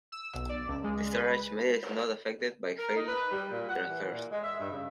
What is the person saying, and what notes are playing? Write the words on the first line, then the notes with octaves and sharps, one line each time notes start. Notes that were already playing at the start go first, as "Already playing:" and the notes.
The storage media is not affected by failed transfers.
E6
B1
D5
C#2
G#3
B4
A#4
D#4
B4
G3
A#2
F#5
E3
A#2
G#3
E5
G2
C#3